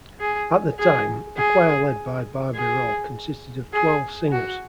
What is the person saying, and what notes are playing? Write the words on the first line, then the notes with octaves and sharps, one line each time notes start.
At that time, the choir led by Barbireau consisted of twelve singers.
G#4
G#4
G#4
G#4
G#4
F#4